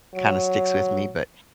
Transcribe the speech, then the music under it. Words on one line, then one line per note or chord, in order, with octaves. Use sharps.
kinda sticks with me, but
F#3